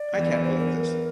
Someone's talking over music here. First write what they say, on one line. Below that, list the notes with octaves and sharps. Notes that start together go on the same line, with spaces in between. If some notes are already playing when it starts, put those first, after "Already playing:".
I can't believe this.
Already playing: D5
E2 E3
C5
A#4